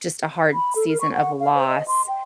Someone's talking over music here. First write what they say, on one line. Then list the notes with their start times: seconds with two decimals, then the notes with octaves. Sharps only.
just a hard season of loss,
0.53 B5
0.76 A4
0.88 A#4
1.01 C#6
1.13 F#5
1.40 F5
1.55 C5
1.68 D#5
1.88 C6
2.08 G5